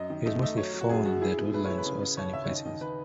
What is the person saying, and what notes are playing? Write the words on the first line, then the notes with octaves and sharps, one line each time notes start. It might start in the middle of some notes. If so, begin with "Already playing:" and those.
It is mostly found at woodlands or sunny places.
Already playing: F#2 D#5
D#3
A3 D#5
A3 D#5
F#3 C#5
F#3
F#4
F#2 G#4
F#2 F#4
E4 G#4
B2
A3 B4
E4 C#5
B4
C#3
C#3
D#2 C#5
C#3 E5
C#5
D#3 D#5
D#3 D#5
D#3 B4